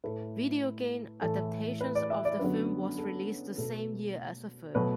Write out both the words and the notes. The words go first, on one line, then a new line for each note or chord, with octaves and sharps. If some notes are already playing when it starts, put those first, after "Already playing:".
Video game adaptations of the film was released the same year as the film.
A2 A3 B4
A2 E3 A3 A4
B4
D5
E5
D5
F#2 D3 F#3 B3 B4
A4
B2 A3 A4
B2 F#3 A3 B4